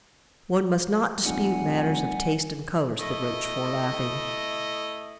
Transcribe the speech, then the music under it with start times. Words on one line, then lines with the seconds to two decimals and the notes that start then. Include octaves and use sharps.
"One must not dispute matters of taste and colors," said Rochefort, laughing.
1.26 F1 G3 F#5 G#5
2.99 A3 E4 D#5